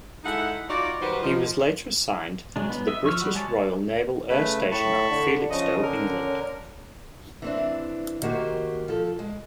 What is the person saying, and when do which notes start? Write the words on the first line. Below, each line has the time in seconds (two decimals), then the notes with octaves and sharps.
He was later assigned to the British Royal Naval Air Station at Felixstowe, England.
0.24 G#3 D#4 E4 A4 F#5
0.70 D#4 F4 F#4 D5
1.01 D#3 F#3 G3 F#4 B4 C5
1.23 F3 D#4
2.56 F#3 G#3 D4
2.69 B3
2.87 D#5 E5
3.04 F3 C#6 E6 F6
3.22 G3 F#4
3.34 G#3 G#4 C#5 A5
4.29 C#3 A3 B4
4.71 A2 A5 B5 C#6
5.10 D3
5.50 C#3 F3 C#4 D#5
5.83 D3 A#4
7.42 E3 C4 D4
8.22 D#3 A#3 F#4 G4 C5
8.88 F3 A4
9.19 G#3